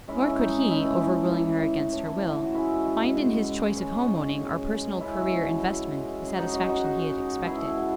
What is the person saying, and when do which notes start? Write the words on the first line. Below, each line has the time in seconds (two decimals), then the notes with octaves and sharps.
Nor could he, overruling her against her will, find in his choice of home-owning or personal-career investment the satisfaction he had expected.
0.08 G#3 C#4 E4
0.27 C#4
0.39 G#3 D#4
0.69 A2 C#4 E4
1.00 A2
1.31 E3
1.62 E3
1.93 A2
2.23 E3
2.43 F#4
2.54 G#3 C#4 E4
2.85 G#3
3.15 G#3
3.46 G#3
3.77 G#3 C#4
4.08 C#3
4.38 C#3
4.69 G#3
5.00 G#3 C#4 E4
5.30 B2
5.61 G#3
5.92 G#3
6.22 C#3
6.27 G#4
6.38 D#4 F#4
6.53 C#3 D#4 F#4
6.69 D#4 F#4
6.83 G#3 D#4 F#4
7.15 C#3
7.45 B2 E4 G#4
7.77 B2